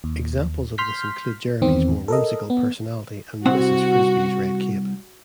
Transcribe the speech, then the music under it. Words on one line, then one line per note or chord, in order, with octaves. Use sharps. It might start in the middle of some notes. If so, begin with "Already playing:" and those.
Examples of this include Jeremy's more whimsical personality and Mrs. Frisby's red cape.
D#2
C6 F6 G6 B6
E2 D#3 C4
A4 A#4 D#5
B3
C2 C4 F#4 F#5